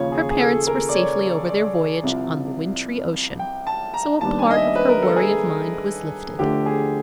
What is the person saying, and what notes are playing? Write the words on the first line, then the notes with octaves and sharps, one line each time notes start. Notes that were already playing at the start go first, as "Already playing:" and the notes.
Her parents were safely over their voyage on the wintry ocean, so a part of her worry of mind was lifted.
Already playing: D#2 C#3 F3 C#5
G#4
G#4
A4
A#4
D5
C#5
D5
C2 C3 F3
G5
A5
A#5
D#2 D#3 G3 B3 D4 A5
G#5
D#5
E5
B4
A#4
A4
G#4
D2 D3 F3 A3 G4
G#4